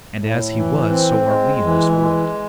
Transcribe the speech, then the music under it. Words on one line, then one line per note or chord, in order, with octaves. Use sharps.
And, as He was, so are we in this world.
A2
E3
C4
G#3
E3
G#3